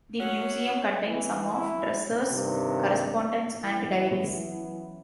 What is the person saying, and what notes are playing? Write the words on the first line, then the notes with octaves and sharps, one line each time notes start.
The museum contains some of Dresser's correspondence and diaries.
F#3 C#4 F#4
E3
E4
G2 C3 D#3
E3 F#3 B3 C#4 E4